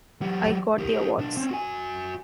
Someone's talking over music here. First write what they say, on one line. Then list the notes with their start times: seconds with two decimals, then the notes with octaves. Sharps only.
I got the awards.
0.22 F#3 G4
0.79 G4 A#4
1.18 B1 D4
1.37 C4 C#4
1.51 F#4 G#5